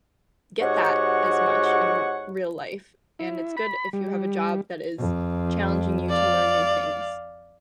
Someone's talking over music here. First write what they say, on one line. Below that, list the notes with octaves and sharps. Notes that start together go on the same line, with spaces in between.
get that as much in real life, and it's good if you have a job that is challenging you to learn new things.
G#2 F#4 G4 C#5 F#5 C#6
E4
B5
G3
F2
D5 F5